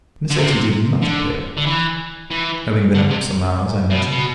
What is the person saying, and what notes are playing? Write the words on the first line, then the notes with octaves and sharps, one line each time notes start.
Miss Etty did not appear, having been up some hours, I imagine.
D3
C3
D3
D3
E3
E3
D3
C3
B2
B2